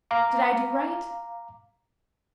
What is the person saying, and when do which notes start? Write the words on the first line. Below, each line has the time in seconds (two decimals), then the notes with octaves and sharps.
Did I do right?
0.11 F5 A#5 D6